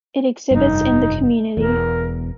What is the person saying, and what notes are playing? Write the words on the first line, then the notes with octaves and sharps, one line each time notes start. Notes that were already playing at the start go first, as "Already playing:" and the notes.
It exhibits in the community.
F1 G2 D#4
E1 E2 A#4